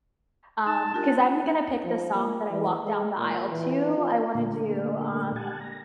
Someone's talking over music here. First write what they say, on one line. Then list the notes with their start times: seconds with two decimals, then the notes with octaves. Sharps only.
Um, 'cause I'm gonna pick the song that I walk down the aisle to. I wanna do, um
0.66 D#4 A5
0.94 D4 F4 G4 A#4
1.85 F3
2.15 A#3
2.50 E3
2.84 G#3
3.17 A#2
3.51 E3
3.97 F4
4.35 A#2 D3 A3 A#3
5.36 G4 F#5 G#5 A5
5.60 A#5